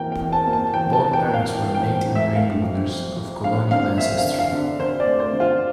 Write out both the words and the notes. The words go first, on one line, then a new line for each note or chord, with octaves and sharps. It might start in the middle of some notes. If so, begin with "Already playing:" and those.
Both parents were native New Englanders of colonial ancestry.
Already playing: E2 E3 A#3 A#4 G5
G5
E2
A5
A#3
A5
E2 G5
A5
E2
G5
A#3
F5
E3 G5
G5
E2
G5
E2
E5
A3 F5
F2
F2
F2
F2 F5
D3 F5
F2 E5
F5
D3
F5
D3
D3 C5
D5
A3
C5
D3
F4